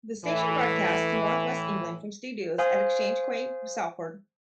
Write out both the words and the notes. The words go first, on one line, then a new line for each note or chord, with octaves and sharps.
The station broadcasts to North West England from studios at Exchange Quay, Salford.
A2 E3
C5 F5 G#5 D#6